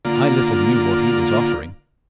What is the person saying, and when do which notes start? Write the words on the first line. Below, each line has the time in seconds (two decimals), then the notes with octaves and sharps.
I little knew what he was offering.
0.05 D3 A#3 F4